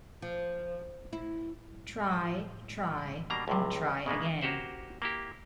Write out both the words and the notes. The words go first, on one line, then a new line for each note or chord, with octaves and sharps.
Try, try, and try again.
F3
E4
B2 G3 A#3 D4 A#5
C#2 A2 C3
C#3 G#3 A#3 B3
A#3 F#4 G4 C5 F#5
A#3 E4 G4